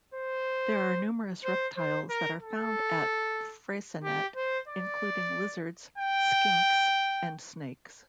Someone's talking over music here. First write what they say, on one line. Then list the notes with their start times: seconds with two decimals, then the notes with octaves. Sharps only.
There are numerous reptiles that are found at Freycinet including lizards, skinks and snakes.
0.14 C5
1.45 C5
1.77 C5
2.10 A#4
2.41 A4
4.04 G4
4.36 C5
4.68 D5
5.98 G5